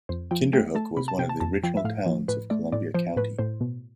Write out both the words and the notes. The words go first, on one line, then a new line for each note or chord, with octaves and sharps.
Kinderhook was one of the original towns of Columbia County.
F2 C5
F3 G5
A3 G5
A3 A5
C3 B5
A5
C3 G5
A5
F2 A5
F3 G5
E5
A2 F5
F3
A2 B4
A3 D5
A2 D5
F3 C5
A2 B4
A2 C5
B2